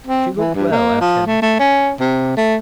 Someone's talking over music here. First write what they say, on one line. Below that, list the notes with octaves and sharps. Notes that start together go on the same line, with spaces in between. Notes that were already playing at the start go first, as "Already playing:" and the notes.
She looked well at him.
C4
E3
G2
A#3
F3
A3
A3
C#4
C3
A3